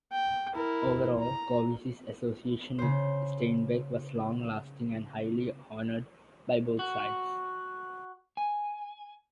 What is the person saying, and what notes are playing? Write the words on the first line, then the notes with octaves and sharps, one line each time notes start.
Overall, Covici's association with Steinbeck was long-lasting and highly honored by both sides.
G5
E4 A#4
A#5
C#3 C5
F#4
G#5